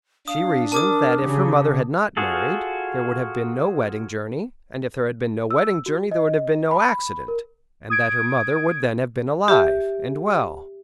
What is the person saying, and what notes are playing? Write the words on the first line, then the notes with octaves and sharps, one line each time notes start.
She reasoned that if her mother had not married, there would have been no wedding journey; and if there had been no wedding journey there would have been no accident, and that her mother would then have been alive, and well.
D4 F5 D#6
A#4 A5 D6 D#6
C#3 G4
F4 F#4 G#4 A4
E6
F#4
D#5
B5
A#4
D#6 G#6 D7
G4 E5